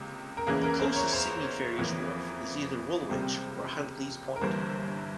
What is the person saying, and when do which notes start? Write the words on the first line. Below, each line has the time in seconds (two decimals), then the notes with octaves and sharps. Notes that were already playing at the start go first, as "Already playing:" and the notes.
The closest Sydney Ferries wharf is either Woolwich or Huntleys Point.
Already playing: C#2 C3 A#3 G4
0.37 A#4
0.47 E2 C#3 E3 A#3 G#4
0.63 A#4
0.80 C5
0.96 C#5
1.13 C5
1.78 F2 E3 A#3
3.10 C#2 C3 G3 A#3 C5
4.36 A#4
4.41 G1 G2 E3 A#3 C5